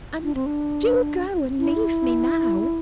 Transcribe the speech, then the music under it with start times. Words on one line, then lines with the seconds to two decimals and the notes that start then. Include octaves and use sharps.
"And do go and leave me now!"
0.24 D4
0.35 C4
0.46 D4
1.59 E4